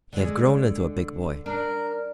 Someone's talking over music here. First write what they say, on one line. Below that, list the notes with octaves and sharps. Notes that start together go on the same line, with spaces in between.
He had grown into a big boy.
D3 G#3
D4 A#4